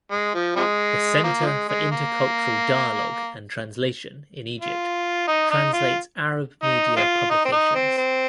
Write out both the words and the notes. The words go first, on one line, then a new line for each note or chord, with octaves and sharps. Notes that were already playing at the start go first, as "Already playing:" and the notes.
The Center for Intercultural Dialogue and Translation in Egypt translates Arab media publications.
G#3
F3
C3 F3 G#3
F3 A#3
F3
G#3
G#3
A#3
F4
D#4
D#4
F4
D#4
G#3 C4 F4
D#4
C4
D#4
C4
C4